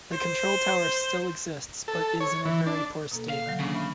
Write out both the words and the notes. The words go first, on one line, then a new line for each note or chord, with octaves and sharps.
The control tower still exists, but is in a very poor state.
C5
A4
C#5
E3
D4
B2 A#3 A4
F5
D3 D#3 F#3
C#3 A#3 C#4 D4
E5 B5 C#6